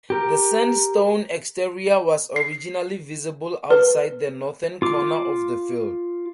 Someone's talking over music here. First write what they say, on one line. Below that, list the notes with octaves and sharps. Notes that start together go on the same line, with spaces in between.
The sandstone exterior was originally visible outside the northern corner of the field.
G4 A#4
C7
B4
F4 D6